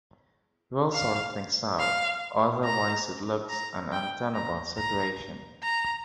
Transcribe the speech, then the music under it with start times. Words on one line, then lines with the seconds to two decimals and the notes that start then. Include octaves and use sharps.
We'll sort things out... otherwise it looks an untenable situation.
0.93 F5
1.79 F5
2.64 A#5
3.49 A#5
3.92 G5
4.35 A#5
4.78 A#5
5.63 A#5